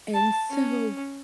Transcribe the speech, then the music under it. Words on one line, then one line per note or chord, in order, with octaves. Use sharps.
And so
A5
C#4